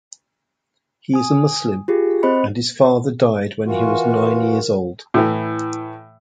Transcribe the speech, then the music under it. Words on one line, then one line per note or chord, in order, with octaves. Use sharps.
He is a Muslim, and his father died when he was nine years old.
G#5 D#6
F4 G4 G#4
C4 C5 D#5 B5 C#7
E3 F4 F#4 A#4
A2 E3